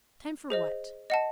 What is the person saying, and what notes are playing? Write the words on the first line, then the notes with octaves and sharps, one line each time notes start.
"Time for what?"
G#4 C5 D#5
D#5 F#5 A5